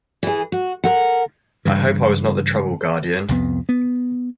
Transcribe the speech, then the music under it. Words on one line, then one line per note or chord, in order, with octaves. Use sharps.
I hope I was not the trouble, guardian?
E3 G#4
F#4
A#4 F#5
G2 C#3 E3
C2 F2 B3
B3